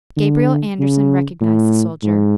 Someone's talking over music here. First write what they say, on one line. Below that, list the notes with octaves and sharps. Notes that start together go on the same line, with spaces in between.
Gabriel Andersen recognised the soldier.
D3
C#3
A2
G#2